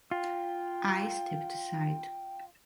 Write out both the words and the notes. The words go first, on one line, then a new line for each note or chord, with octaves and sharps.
I stepped aside.
F4 G5